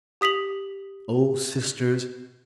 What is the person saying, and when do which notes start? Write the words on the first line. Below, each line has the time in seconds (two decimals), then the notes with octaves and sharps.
Oh! sisters!
0.21 G4 D#6 B6 F7 F#7